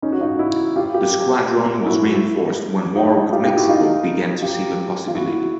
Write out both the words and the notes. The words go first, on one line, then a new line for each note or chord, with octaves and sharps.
The squadron was reinforced when war with Mexico began to seem a possibility.
C#4 D#4
F#4
D#4 F4
E4 F#4
F4 G4
F4 G4
E4 F#4
D#4 F4
F4 G4
F4 G4
E4 F#4
D#4 F4
F4 G4
F4
E4 F#4